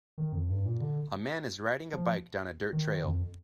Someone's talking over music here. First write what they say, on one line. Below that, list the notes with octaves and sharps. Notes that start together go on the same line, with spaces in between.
A man is riding a bike down a dirt trail.
D#3
F2
G2
A#2
D3
F3
D#3
F2